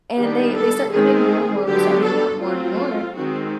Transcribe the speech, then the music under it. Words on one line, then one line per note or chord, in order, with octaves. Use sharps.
and they they start coming more and more, we start hanging out more and more,
D#3 G3 B3 D4 G4
A4
D#3 G#3 C4 G#4
D3 F#3 B3 D4 G4
A4
F#3 A3 C4 F4
D#3 G#3 C4 F#4